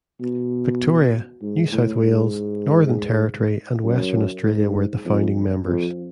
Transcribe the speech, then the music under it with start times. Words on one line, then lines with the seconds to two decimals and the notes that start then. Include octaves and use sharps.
Victoria, New South Wales, Northern Territory and Western Australia were the founding members.
0.21 B2
1.42 G#2
1.72 A2
2.02 G#2
3.84 F#2
4.45 G#2
5.05 F2
5.66 F2